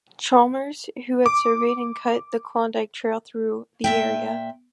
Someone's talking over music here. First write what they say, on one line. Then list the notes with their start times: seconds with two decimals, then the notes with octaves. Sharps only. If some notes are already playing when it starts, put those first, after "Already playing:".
Chalmers, who had surveyed and cut the Klondike Trail through the area.
1.26 D6
3.84 A#2 E5 G5